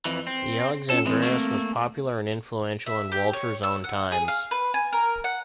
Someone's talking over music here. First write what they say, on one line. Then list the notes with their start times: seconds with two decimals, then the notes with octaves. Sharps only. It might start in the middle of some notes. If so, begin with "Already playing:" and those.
The "Alexandreis" was popular and influential in Walter's own times.
0.05 F2 E3
0.27 C4
0.90 C#4 F4 A4 C#5
1.06 E3 G#3 C4
1.22 A3 A#3
2.86 E5
3.12 G4
3.33 C#5
3.63 E6
3.84 F#5
4.12 G#4
4.28 F5
4.51 B4
4.74 G#5
4.92 A#4
5.24 F#5